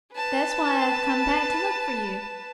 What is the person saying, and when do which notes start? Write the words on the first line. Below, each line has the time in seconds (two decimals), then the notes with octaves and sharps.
That's why I've come back to look for you.
0.13 B4 A5